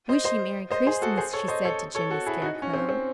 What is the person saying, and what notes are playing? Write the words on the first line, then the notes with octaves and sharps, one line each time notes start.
"Wish you Merry Christmas!" she said to Jimmy Scarecrow.
C5 D#5
C5 D#5
C5 D#5
G#4 C5
F#4 A4
G#4 C5
A4 C#5
C5 D#5
A4 C#5
A4 C#5
F#4 A4
E4 G#4
D#4 F#4
C#4
C4
C4